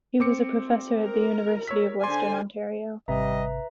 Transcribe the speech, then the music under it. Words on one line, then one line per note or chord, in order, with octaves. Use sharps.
He was a Professor at the University of Western Ontario.
C4 D6 C#7
A#4
C#5 E6 B6
D3 C5 D5 G#5 C6
G#1 C3 G3 B4 D#5 E5 A#5